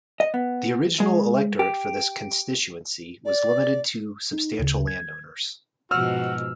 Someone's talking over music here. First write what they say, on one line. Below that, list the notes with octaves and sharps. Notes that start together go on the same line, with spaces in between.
The original electorate for this constituency was limited to substantial landowners.
D#5
B3
G#3
G4
D5
D#4
D2 C#3
G#6
G#2 B2 F3 F#4 E6 F6